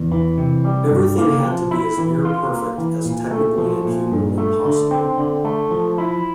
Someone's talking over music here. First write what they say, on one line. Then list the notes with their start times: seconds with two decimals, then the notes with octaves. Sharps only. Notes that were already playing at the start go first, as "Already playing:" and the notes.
Everything had to be as near perfect as technically and humanly possible.
Already playing: E2
0.12 E3
0.38 C3
0.64 G3
0.91 G2
1.18 A#3
1.45 F3
1.71 E4
1.98 E3
2.25 F4
2.51 A#3
2.78 E3
3.05 A#2
3.31 A3
3.58 F3
3.85 A#2
4.12 G2
4.38 A3
4.65 D3
4.91 C4
5.17 D3
5.45 A3
5.71 F3
5.98 E4